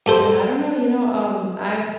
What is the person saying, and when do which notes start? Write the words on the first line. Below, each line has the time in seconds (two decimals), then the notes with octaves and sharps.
Yeah, I don't know, you know, um, I've
0.06 G2 A4 C5